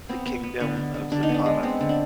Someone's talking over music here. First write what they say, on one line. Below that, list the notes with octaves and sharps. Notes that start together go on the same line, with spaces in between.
"The Kingdom of Zapata".
B3 C4
B3
B3
D3 B3
D3
D3
D3 D4
D#4
B3
D4
G#3
B3 C4
D3
D4